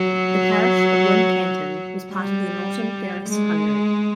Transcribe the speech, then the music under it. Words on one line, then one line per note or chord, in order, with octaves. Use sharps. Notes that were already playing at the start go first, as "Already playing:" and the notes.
The parish of Wincanton was part of the Norton Ferris Hundred.
Already playing: F#3
G3
G#3